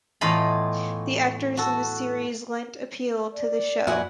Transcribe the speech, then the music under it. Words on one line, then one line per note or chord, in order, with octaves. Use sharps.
The actors in the series lent appeal to the show.
E2 A2 F4 D#5 F5 B5
F#4 A4
D5
F2 A#2 E4 F#4 F#5 G#5